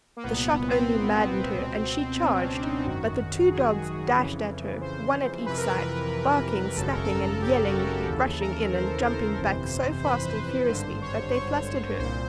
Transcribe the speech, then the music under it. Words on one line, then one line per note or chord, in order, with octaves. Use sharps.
The shot only maddened her, and she charged; but the two dogs dashed at her, one at each side, barking, snapping and yelling, rushing in and jumping back so fast and furiously that they flustered her.
A#3
C2 A#2 B3
B3
C4
C#2 B2
C#4
D4
D#4
G#1 F#2 D#3 F#4
G#4
F2 C#3 E3
C5
F2 C3 E3 B4
A#4
B4
G#1 F#2 C#3 A4
A#4
A4
G4
F#4
A#4
D#2 C#3 E3 A4
A#4
C5
C5
G1 F2 C3 E3
C5
B4
C5
G#1 G2 D3 C5
C#5
C#5
C2 A#2 C5